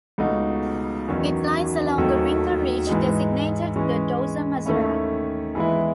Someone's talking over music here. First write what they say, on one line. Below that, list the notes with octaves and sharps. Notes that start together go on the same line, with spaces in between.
It lies along a wrinkle ridge designated the Dorsum Azara.
C#2 B2 A3 D#4 F#4
E2 D#3 F#3 C#4
D#2 D#3 F#3 A3
G#2 E3 G#3 D#4
E3 G#3 C#4
D#2 D#3 A3 C#4 E4
E3 G#3 B3 E4